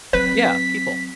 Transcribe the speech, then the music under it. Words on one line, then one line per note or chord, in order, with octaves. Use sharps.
Yeah, people,
F#3 C4 B4 B6